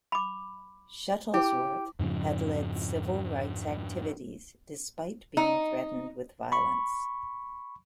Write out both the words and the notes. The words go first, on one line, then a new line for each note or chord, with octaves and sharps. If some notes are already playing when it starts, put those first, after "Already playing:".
Shuttlesworth had led civil rights activities despite being threatened with violence.
B5 D6
E4 G4
F2 G#2 C#3 F3
D#4
B5 C#6